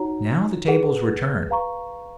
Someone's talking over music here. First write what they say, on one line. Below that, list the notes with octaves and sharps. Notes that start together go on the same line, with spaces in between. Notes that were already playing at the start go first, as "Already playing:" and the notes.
Now the tables were turned.
Already playing: D#4 F#4 C#5 F#5 A#5
G#4 B4 F#5
B4 F5 A#5 C#6